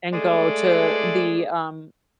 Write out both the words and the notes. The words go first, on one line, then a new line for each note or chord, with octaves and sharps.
and go to the, um
G#3 A3 G#4 A4 D5